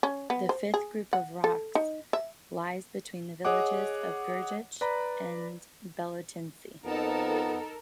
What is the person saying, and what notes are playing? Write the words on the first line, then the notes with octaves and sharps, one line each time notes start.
The fifth group of rocks lies between the villages of Gyurgich and Belotintsi.
C#4
B3
C5
G#4
F#5
A4
D#4
E5
G#4 C#5 D#5 F#5 D6
B4 D5 A#5 B5
F2 B3 D#4 A4 A#4